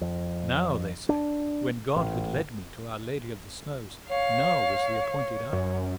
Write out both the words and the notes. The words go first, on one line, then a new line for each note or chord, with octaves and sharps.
Now, they said, when God had led me to Our Lady of the Snows, now was the appointed hour.
F2
D4
A1
C#5 F5
F#2